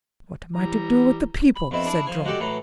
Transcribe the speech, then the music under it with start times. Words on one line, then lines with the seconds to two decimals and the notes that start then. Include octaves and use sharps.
"What am I to do with the people?" said Dron.
0.56 E3 G3 A#5
1.56 B5
1.71 F2 B2 E4
1.86 D4 E4 G#4 A5
2.06 F3 G#5
2.25 G#3 F#4 G4 A4 D5
2.40 A2 E3 F#3 A3